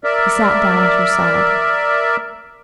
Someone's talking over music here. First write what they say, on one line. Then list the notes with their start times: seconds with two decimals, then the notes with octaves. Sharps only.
He sat down at her side.
0.04 A#4 D5 E5